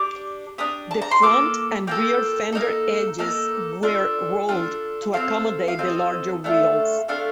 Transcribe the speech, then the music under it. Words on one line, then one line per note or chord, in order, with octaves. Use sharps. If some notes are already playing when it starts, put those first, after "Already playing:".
The front and rear fender edges were rolled to accommodate the larger wheels.
Already playing: D4 G4 D6
D4 G4 D#6
A5
A#5
C6
A#3 F4 A4 D6
A#3 F4 A4 G5
A#3 D#4 A4
A#3 D#4 A4
D4 F4 A4
D4 F4 A4
C4 F4 A4 F5
F5
C4 F4 A4 D#5
A3 D4 F4 A4
A3 D4 F4 A4 F5